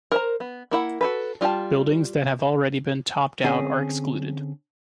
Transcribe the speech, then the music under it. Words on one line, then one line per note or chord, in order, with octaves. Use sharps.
Buildings that have already been topped out are excluded.
A#4 C5 A#5
B3
A#3 E4 F#5
F#4 A4 B4
G3 F4 E5 G5 A5
D3 C4 C#4 G#4